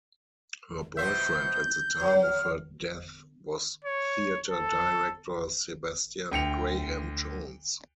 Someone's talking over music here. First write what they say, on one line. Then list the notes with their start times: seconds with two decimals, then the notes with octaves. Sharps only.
Her boyfriend at the time of her death was theatre director Sebastian Graham-Jones.
0.97 B2 C5 E5 G6
2.00 F#3
2.23 F6
3.84 C#5
4.48 A4
6.32 D2 G5 C#7 F7